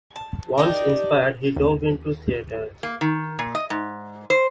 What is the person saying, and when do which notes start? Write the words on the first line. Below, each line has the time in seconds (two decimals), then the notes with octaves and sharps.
Once inspired, he dove into theatre.
0.16 A5
0.58 D4 D#4 G4 A#4
1.56 D#2
2.83 A#3
3.01 D#3
3.39 A#2
3.55 D#5
3.70 G#2
4.30 C5